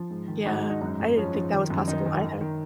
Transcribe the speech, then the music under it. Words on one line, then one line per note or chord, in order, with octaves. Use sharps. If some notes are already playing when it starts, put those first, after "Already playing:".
Yeah, I didn't think that was possible either.
Already playing: F3
G#2
D#3
G#2 D#4 F#4
G#2
D#4
F#2 D#4
F#2
F3 C#4
F3
D#3
F#2
D#3 D#4
D#3
D#3
D#3